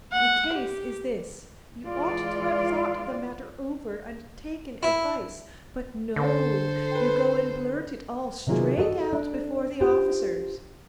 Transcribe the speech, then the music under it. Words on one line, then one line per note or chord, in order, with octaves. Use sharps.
The case is this: you ought to have thought the matter over and taken advice; but no, you go and blurt it all straight out before the officers.
F#5
G4
E3 G#3 F4 D5
E4
D3 A4 C5
B4 G5
C3 D#3 F#3 A#3 F4 G#4
F#4 A4 B4 D#5
D4
F4 G4 C5